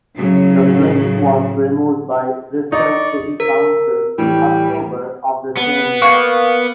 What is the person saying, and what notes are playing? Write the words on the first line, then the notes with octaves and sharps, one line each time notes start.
The plaque was removed by Bristol City Council in October of the same year.
A2 C#3 F#3
D#4 D5 C#6
A#4
A2 E3 G3
B3
A#3 C#6 F#6